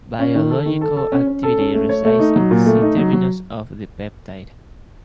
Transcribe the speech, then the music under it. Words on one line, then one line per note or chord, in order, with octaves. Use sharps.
Biological activity resides in the C-terminus of the peptide.
C#4
D#3
A4
D#3
A4
A4
C#4
C#4
A4
C#4
A3
C#5
A3
D#4
F#3
A#2
A3
D#4
F#3
F#3